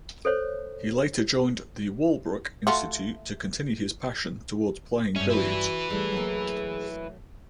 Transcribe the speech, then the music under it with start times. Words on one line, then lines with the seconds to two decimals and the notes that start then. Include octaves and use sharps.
He later joined the Walbrook Institute to continue his passion towards playing billiards.
0.25 A4 C5 C#5
2.67 A3 F4 F#4
5.16 G2 C#4 E5
5.30 E4 F#4 B4
5.90 E3 G3 A3 G#4
6.12 F#3 A3 A#3